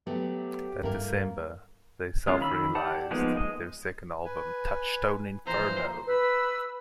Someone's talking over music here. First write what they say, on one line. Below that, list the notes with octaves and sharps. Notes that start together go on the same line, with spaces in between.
That December they self-released their second album Touchtone Inferno!!!
F#3 A3 B3 G4
G2 A3 A#3 E4 A#4
G#3 C#4 F4
D#3 B5 E6
G4 D5 F#5 A5
F3 G#3 A#3 B3 D#4
G#3 D#5
B4 G#5
A#2 E3 F3 C5 A#5
B4 E6